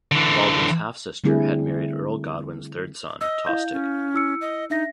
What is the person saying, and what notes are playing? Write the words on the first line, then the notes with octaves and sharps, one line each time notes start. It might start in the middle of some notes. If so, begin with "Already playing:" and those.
Baldwin's half-sister had married Earl Godwin's third son, Tostig.
D3 E3
D3 G3 A3 C4 E4 G#4
D#5 E6
E4 F5 G6
C#4
E4 E6 C#7
D#5
D4 D#4 E5 A#6